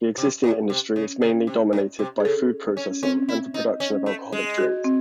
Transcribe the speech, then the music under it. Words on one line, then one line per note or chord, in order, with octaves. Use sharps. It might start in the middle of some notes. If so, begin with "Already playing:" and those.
The existing industry is mainly dominated by food-processing and the production of alcoholic drinks.
C3
A2
C3
C#3
C#3
C3
A2
C3
G#4
C#3 A4
C#4
C4 C#4
E4
D#4
C#4
A3
G#3
F#4
C4